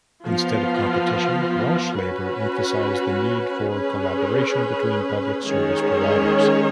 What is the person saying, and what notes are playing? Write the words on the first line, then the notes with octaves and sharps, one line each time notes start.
Instead of competition, Welsh Labour emphasised the need for collaboration between public service providers.
F3 B3 F4
C#4 F#4 B4
C#4 G#4 B4
D#3 G#3 C#4 G#4 C#5